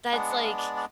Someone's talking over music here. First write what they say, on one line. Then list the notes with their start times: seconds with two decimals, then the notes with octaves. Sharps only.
"That's, like
0.12 G#3 B3 D4 F#5
0.30 F#5
0.35 F5
0.58 D5
0.76 D5